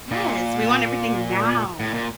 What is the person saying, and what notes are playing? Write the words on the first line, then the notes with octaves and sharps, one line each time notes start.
Yes, we want everything now.
A#2
A2
A#2